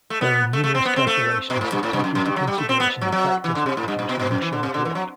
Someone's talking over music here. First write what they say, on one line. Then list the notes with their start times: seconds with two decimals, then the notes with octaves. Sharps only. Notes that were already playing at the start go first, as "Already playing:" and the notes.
There are numerous calculations that take into consideration the factors that produce longshore drift.
0.10 A3
0.21 B3
0.53 A3
0.64 A3
0.75 C4
0.85 B3
0.96 C4
1.07 A3
1.50 B2
1.61 A2
1.72 G2
1.83 A2
1.93 G2
2.04 F#2
2.15 F#2
2.26 G2
2.36 F#3
2.47 G3
2.58 A3
2.69 C4
2.80 B3
3.01 F#3
3.12 F#3
3.44 E3
3.55 D3
3.66 C3
3.77 A2
3.88 G2
3.99 G2
4.09 B2
4.19 B2
4.31 F#2
4.42 E3
4.53 D3
4.63 C3
4.74 D3
4.85 E3
4.95 F#3